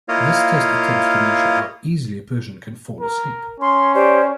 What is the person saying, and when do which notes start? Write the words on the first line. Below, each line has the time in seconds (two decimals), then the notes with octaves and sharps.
This test attempts to measure how easily a person can fall asleep.
0.09 A#3 E4 F4 C#5 D#5 F5
3.01 A#4
3.60 C#4 C6
3.95 G4 C5 D5